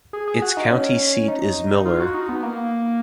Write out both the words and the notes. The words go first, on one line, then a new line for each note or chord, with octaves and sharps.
Its county seat is Miller.
G#4
G#4
F#4
D#4
C#4
D#4
F4
F#4
D#4
B3
A#3